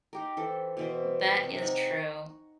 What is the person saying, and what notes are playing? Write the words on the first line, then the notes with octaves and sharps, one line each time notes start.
That is true,
D#4 G4 A#4
E3 A4 C5
B2 E3 C5
C3
D#4 F#5 G#5
C#6